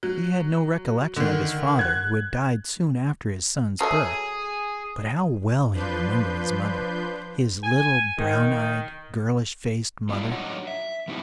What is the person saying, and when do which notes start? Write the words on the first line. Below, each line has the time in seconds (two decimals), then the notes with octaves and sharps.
He had no recollection of his father, who had died soon after his son's birth, but how well he remembered his mother, his little, brown-eyed, girlish-faced mother!
0.03 F#3
1.16 D3 D#3
1.79 F#6 G#6
3.81 F#3 G#4 A4 E5
5.74 F3 D4 B4 C6 G6
7.63 G#5
8.17 D#3
10.09 G3 B3 C#4 D4 E4 F4
10.31 F#3 D4 D#4 C#5 F#5
10.67 E5
11.08 F#3 B3 C4 D#4 E4 G#4